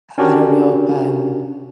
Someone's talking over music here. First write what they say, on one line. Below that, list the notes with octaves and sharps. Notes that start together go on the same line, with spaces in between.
I don't know if I'm
C#4 D4 F#4 G4 A#4